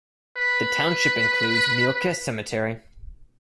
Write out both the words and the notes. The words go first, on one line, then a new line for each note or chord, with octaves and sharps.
The township includes Mielke Cemetery.
B4